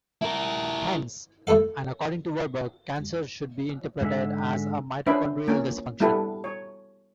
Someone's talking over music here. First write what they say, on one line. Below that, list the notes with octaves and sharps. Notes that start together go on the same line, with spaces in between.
Hence, and according to Warburg, cancer should be interpreted as a mitochondrial dysfunction.
E4 A#4
A3 E4 A4 F5
G#2 D3 G#3 E5
C#4 D4 B4 C5 E5 B5
A#3 C#4
G3 B3 E4 G4 A4 B4
C#5